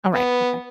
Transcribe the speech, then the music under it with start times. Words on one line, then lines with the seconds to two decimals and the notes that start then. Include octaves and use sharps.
Alright. Bye-bye.
0.13 B3